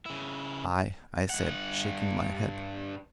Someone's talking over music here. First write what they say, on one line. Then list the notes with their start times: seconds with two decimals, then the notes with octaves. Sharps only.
"Aye!" I said, shaking my head.
0.06 C#3 E4
1.30 G2 F#5